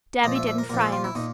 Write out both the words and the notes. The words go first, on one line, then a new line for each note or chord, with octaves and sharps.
Debby didn't fry enuff.
A#2 F3 D#5
E5
E5
A#4
A#2 F3 A#4
A4
F4
E4
A#2 D#4